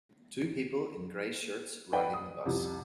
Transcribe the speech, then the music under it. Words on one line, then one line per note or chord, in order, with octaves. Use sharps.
Two people in gray shirts riding the bus.
B4 D5 F#5 G5
D#6
C2 F2 C3